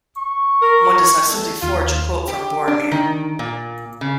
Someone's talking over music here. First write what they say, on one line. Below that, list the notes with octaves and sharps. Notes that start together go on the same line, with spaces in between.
One does not simply forge a quote from Boromir.
C#6
A#4
E2 A3 A4
D#2 F4
G4
D4
D#3
A#2
C#3